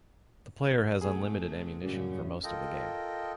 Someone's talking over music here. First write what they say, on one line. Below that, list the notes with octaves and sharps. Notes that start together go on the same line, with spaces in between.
The player has unlimited ammunition for most of the game.
C3 A3 C4 G#4
F#2 A2 C#3 G3
F4 A4 A#4 D#5 G5